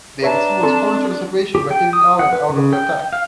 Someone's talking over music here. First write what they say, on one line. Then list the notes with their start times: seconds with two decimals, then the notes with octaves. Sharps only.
Davidson responded to the situation by hitting Allen out of the attack.
0.22 D4 B4 C#5 E5 A5 A#5
0.63 C4 A4
1.55 G4
1.71 G5
1.93 D#6
2.19 F#5
2.33 B4
2.49 C#3
2.73 G5
3.13 F5